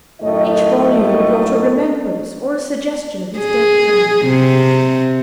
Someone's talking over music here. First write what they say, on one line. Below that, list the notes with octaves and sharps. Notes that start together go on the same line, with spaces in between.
Each volume brought a remembrance or a suggestion of his dead friend.
F#2 A2 D#3 A3 D#5
G#4
C3